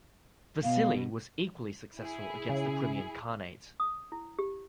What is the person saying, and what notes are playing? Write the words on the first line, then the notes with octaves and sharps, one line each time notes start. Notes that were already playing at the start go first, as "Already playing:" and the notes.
Vasili was equally successful against the Crimean Khanate.
B2 F5
E4 G#4
C#3
D#6
E4
G4